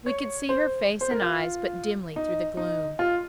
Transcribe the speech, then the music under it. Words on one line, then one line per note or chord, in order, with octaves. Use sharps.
We could see her face and eyes but dimly through the gloom.
C#5
C5
C5
A#4
F4
D#4
D#4
F4